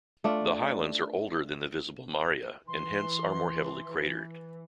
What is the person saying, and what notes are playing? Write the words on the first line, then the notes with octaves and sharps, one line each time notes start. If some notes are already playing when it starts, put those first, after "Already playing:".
The highlands are older than the visible maria, and hence are more heavily cratered.
A3 D4 F4
E3 C6